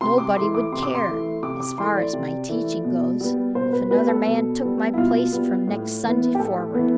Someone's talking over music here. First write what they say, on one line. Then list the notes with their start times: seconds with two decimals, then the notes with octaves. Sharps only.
Nobody would care, as far as my teaching goes, if another man took my place from next Sunday forward.
0.01 C3 C6
0.18 D6
0.36 E3 A3 C6
0.55 D6
0.72 C3 C6
0.83 D6
0.95 C6
1.07 E3 A3
1.43 C3 D6
1.60 D6
1.78 E3 A3 C6
1.96 D5
2.13 C3
2.49 E3 A3
2.84 B2
3.21 G3 B3
3.55 B2 C5
3.73 B4
3.91 G3 B3 B4
4.08 A4
4.27 B2
4.61 G3 B3
4.94 E4
4.97 B2 F4
5.32 G3 B3
5.67 A2
6.03 E3 B3
6.35 G4
6.39 A2 A4
6.74 E3 B3